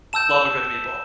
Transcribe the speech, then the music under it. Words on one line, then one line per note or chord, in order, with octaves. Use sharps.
Love a good meatball.
A5 E6 G6 E7